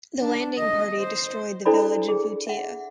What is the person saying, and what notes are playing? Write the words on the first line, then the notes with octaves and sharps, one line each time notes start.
The landing party destroyed the village of Vutia.
D4
D#5
C5
D4 E4 A4 C5 D5 B5
G#4
E5 F#5